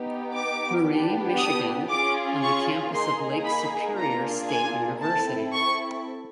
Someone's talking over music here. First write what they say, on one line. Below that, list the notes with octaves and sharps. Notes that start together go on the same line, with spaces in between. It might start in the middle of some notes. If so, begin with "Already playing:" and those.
Marie, Michigan on the campus of Lake Superior State University.
Already playing: B3 D#4 G4
D6
B3 D4 G4
D#6
C#4 F4 G#4 D6
C#6
A#3 D#4 G#4 C6
B5
A#3 D4 F4 G#4 A#5
G#5
C4 E4 A4 A5
C#6